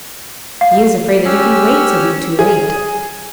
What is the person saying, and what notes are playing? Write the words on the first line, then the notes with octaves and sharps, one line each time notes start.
"He is afraid that if he waits he'll be too late!"
F5
C#4 G4 E6 F6
G#4